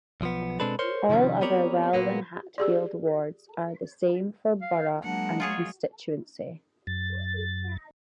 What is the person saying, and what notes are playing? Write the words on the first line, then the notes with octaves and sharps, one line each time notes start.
All other Welwyn Hatfield wards are the same for Borough and Constituency.
B1 F3 B3
B2 G#3 C4 D4 A4 B4
A#4 C5 C#5 C6
C3 D#3 F3 G3 C#4
B3 C4 G4 A#4 C#5 D5
A#2 D3 F#3 A#3 B3
G4 G#4 D5
F5
F#3 G#3 A#3 D4 F#5
F4 G#4 C#5
F#2 A6